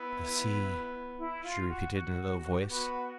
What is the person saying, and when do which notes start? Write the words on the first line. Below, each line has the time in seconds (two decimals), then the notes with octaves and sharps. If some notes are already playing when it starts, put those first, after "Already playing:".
"The sea," she repeated in a low voice.
Already playing: B3 E4
1.18 E4
1.44 F4
1.69 F#4
1.93 F#4
2.62 G4
2.67 B3 F#4